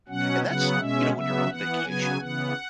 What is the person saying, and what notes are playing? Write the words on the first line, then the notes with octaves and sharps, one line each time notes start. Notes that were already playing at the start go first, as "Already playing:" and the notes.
And that's you know, when you're on vacation
B2 F#3 C#4 F#5
C#3 F#3 B3 F#5
B2 G#3 C#4 E5
C#3 F#3 B3 E5
E3 B3 F#5
C#3 F#3 B3 G#5
C#3 E3 B3 F#5